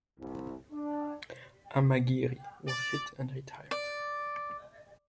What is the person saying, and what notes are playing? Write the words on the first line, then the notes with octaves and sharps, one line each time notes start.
"Amagiri" was hit and retired.
C2
D4
D5
D5